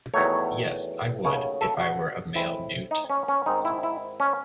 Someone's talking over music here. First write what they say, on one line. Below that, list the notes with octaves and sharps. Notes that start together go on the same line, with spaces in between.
Yes, I would, if I were a male newt.
E2 D#3 F#3 A3 C#5
D#2 C#3 F#3 A3 C#5
A4
F#4
A2 G#3 C4 E4
D#4
C#4
C#4
G#2 D#3 G#3 C4 D#4
E4
E4
C#4